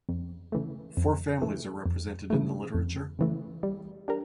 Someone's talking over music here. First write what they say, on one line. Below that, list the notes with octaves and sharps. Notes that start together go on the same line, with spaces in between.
Four families are represented in the literature.
F2
C#3 E3 A3
F2
C#3 E3 A3
F2
C#3 E3 A3
F2
C#3 E3 A3
G3
D4 G4 A#4